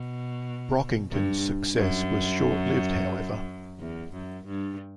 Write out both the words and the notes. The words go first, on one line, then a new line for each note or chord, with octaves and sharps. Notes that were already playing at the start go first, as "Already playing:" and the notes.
Brockington's success was short-lived, however.
Already playing: B2
G2
F#2
E2
F#2
G2